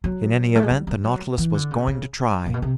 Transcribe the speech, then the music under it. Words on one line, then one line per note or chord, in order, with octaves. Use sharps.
In any event the Nautilus was going to try.
F#3
A3
G#3
G3
G3
F#3
E3
D3
C#3
C#3
A#2
B2
C3